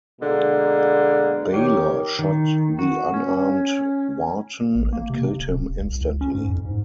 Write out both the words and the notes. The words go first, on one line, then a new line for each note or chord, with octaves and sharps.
Baylor shot the unarmed Wharton and killed him instantly.
B2 D3 G#3 A#3
D#3 G4 A#4 C#5
D#3
F#4
C#4
A1
A#3
C3
C3
D1
D#1
C2
C#2
C#4
G#2
F2
G#2